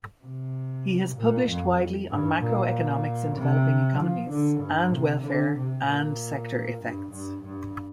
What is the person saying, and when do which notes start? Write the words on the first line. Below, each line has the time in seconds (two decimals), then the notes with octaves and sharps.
He has published widely on macroeconomics in developing economies and welfare and sector effects.
0.23 C3
1.16 A#2
1.47 F2
2.10 G2
2.42 A#2
3.36 C3
3.98 F3
4.29 D3
4.61 G2
4.92 C3
5.23 D3
5.55 C3
5.86 A#2
6.80 G2
7.12 G2
7.43 G2